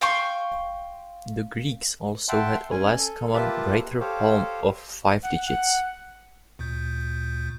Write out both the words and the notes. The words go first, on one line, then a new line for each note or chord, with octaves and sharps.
The Greeks also had a less common "greater palm" of five digits.
F5 G5 C6 C#6
E5 F#5 G5 A5 C6
C#4 G#5
A4
A#3 F4 G4 B4 E5 A5
G4 A4 C5 C#5 F5
F#5
F#5
D2 A#2 G6